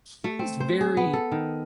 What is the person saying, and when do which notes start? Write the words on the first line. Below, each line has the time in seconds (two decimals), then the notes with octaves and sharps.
he's very
0.24 A3
0.39 C4
0.60 C5
0.81 G#4
0.97 B3
1.13 A4
1.32 D#3